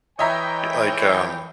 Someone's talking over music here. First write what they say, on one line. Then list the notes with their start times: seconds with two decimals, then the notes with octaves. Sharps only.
like, um,
0.19 E3 C#5 D#5 E5 G5 A#5